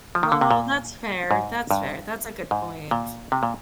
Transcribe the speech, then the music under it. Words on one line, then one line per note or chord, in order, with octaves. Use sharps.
Well, that's fair, that's fair, that's a good point.
F3
D#3
D3
C3
A#2
G#2
G2
G#2
A#2
C3
A#2